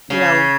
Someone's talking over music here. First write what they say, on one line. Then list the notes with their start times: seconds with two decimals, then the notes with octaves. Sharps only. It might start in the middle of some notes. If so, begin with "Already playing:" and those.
you know,
0.10 C#3